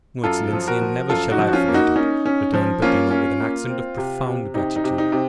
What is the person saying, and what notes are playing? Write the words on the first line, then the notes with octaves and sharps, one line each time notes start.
"No, excellency; and never shall I forget it," returned Peppino, with an accent of profound gratitude.
F#2 F4 A4
F3
F#4 A#4
F3
F#2 F4 A4
D#4 F#4
F3
F#4
C#4 F4
A#3
D#4 F#4
C#4 D#4
C#4
F3
A#3 C#4 F4
C#4
A#3
C4
C3
C3
C3 D#4
D#4
C3
D#4
C3